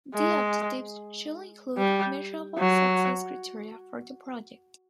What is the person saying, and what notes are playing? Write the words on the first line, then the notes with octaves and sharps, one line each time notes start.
The objectives should include measurable success criteria for the project.
G#3
G3
F#3